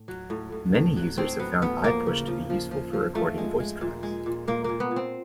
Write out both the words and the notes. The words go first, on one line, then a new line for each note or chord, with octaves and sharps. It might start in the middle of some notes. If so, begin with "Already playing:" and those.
Many users have found iPush to be useful for recording voicetracks.
Already playing: A2
F#3
A2
A2
A2
F#3
A2 C4
F#3 B3
A2 B3
F3 A#3
C#3
F3
F3
F3
F3
F3 A3
G#3
G#3
A#2
G#3
A#2
A#2 A#3
A#2 A#3
B3
A#2
C4